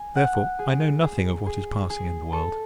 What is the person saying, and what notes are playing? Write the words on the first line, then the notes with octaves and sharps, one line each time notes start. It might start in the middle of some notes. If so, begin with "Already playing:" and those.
Therefore, I know nothing of what is passing in the world.
Already playing: G#5
F#5
G#4
G#4
G#4
G#4
A4